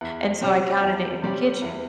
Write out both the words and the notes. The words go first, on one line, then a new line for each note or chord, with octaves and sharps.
and so I counted it in the kitchen.
E2
C3 G3 C#4 G4
E2
C3 G3 C#4 G4
E2